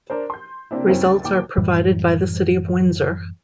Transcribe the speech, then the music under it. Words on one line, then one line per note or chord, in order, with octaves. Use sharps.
Results are provided by the City of Windsor.
D4 A#4 C5
C6 G6
C3 A#3 C4 D4 E4
F#1 F#2 F#3 C4 C#4 E4
C#2 A6
D#2 A#2 G5 D6
F#2 A2 E3 G3